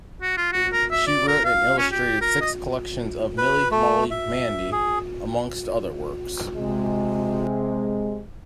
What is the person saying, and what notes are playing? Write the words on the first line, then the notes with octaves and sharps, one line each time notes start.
She wrote and illustrated six collections of "Milly-Molly-Mandy", amongst other works.
F#4
F4
F#4
A#4
E5
D5
A#4
F5
C#4
G4
A#4
D#5
B4
A3
E5
G#4
C3 G#3